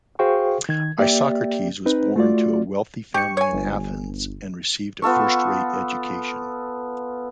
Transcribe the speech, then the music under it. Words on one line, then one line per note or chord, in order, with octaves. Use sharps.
Isocrates was born to a wealthy family in Athens and received a first-rate education.
F#4 G#4 C5 F5 G5 C#6
D#3 G#6
A#3 G4 D5 E5 G5
C4 D#4 B4
A3 F4 F#4 D5
G4 C#6 C#7
C#5 G#5
G1
B3 F4 A4 C#6